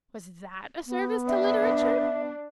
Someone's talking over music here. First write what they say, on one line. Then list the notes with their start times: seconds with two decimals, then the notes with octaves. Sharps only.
Was that a service to literature?
0.87 B3
1.28 D4 E5